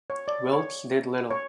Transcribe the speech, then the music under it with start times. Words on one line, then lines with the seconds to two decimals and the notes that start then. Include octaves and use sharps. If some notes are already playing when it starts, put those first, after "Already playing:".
Wilkes did little.
0.10 C#5
0.28 D5
0.53 C#5
1.31 C#5